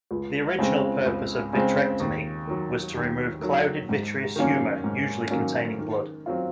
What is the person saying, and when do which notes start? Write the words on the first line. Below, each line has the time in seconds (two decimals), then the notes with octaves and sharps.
The original purpose of vitrectomy was to remove clouded vitreous humor-usually containing blood.
0.11 C#2
0.59 C#3 G#3 C4
1.06 C#2
1.53 C#3 G#3 C4
2.00 D#2
2.47 D#3 F#3
2.95 D#2
3.41 D#3 F#3
3.89 G#2
4.36 D#3 F#3 A#3 C#4
4.84 G#2
5.31 D#3 F#3 A#3 C#4
5.79 D#3
6.26 F#3 C4 F4